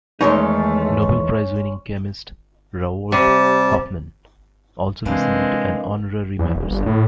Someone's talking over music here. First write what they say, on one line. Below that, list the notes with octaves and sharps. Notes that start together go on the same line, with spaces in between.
Nobel Prize-winning chemist Roald Hoffman also received an honorary membership.
E2 D#3 G#3 A3 C#4 D#4 C6
C3 G3 G4 A5
C3 E3 G#3 A#3 C4 D4
E2
D#1
G1
A2